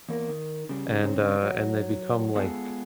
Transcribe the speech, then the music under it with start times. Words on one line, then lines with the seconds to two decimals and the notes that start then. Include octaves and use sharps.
and, uh, and they become, like,
0.09 E2 A#3
0.29 D#3
0.69 C#3 G3
1.02 G2 C#3 C4 C#4
1.42 F#3
2.36 G#3 B3 F4 G#4 A4